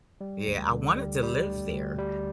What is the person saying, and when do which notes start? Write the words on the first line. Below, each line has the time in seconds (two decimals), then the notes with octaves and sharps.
Yeah, I wanted to live there,
0.21 G3
0.47 D2
0.72 D3
0.97 G3
1.23 G3
1.48 D2
1.73 D2
1.98 G3